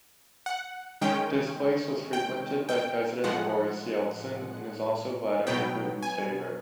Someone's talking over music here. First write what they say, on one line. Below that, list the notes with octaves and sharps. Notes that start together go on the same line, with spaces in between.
This place was frequented by President Boris Yeltsin and is also Vladimir Putin's favorite.
F#5
D#3 G#3 C#4 G5
G5
G5
A2 F3 G#3 F#5
B2 F#3 B3 G5
G#5